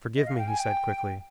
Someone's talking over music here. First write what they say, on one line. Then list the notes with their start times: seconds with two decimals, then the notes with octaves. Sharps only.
"Forgive me," he said quickly.
0.17 D#5
0.26 F5
0.38 G5
0.48 G#5
0.58 G5